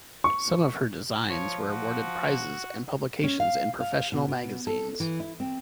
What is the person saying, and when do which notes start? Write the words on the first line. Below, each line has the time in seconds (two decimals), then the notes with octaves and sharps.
Some of her designs were awarded prizes and publications in professional magazines.
0.24 C#6
1.30 F3 C#5
1.68 F#4
3.24 C#4
3.40 F5
3.80 F5
4.12 B2
4.28 B2
4.67 A4
5.00 E3
5.20 E4
5.40 C4